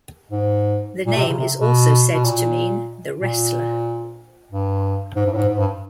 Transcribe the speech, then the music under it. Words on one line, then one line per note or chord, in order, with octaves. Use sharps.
The name is also said to mean "the wrestler".
G#2
A#2
C3
C#3
C3
B2
B2
A#2
A#2
G2
G#2
G2
A2
G#2
G#2
G2